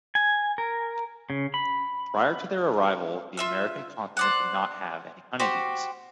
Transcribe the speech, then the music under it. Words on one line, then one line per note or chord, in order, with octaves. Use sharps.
Prior to their arrival, the American continent did not have any honey bees.
G#5
A#4
C#3
B5
F4 E5 E6
C5 D5 F#5
F#4 G4 C5